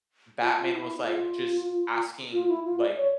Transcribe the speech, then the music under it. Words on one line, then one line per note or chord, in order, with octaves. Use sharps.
Batman was, like, just asking, like
F4
E4
F4
F4
E4
F4
D5
C#5